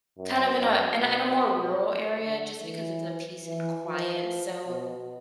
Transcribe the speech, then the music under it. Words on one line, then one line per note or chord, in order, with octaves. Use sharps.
kind of in a in a in a more rural area just because of the peace and quiet, so
F#2
F#2
B2
D3
E3
E3
F3
B2